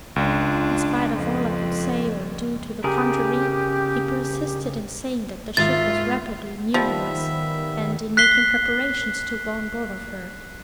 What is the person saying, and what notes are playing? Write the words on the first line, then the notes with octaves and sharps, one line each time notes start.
In spite of all I could say or do to the contrary, he persisted in saying that the ship was rapidly nearing us, and in making preparations to go on board of her.
C#2 D4 F4
F2
C#3 G4 G#4 A#4
G#1 F4 E5 E6 A6
D#3 F3 G3 B3 E5 G#5
F#6 B6 C7 G7